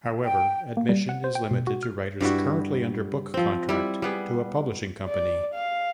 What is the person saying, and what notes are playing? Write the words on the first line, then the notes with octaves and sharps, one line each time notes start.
However, admission is limited to writers currently under book contract to a publishing company.
G5
A#3
G3
F#5
C5
G5
B2
F#4
F6
G2 G3 E4 F#4
F3 C4
G3 E4
G3 B3 G#4
D5
F5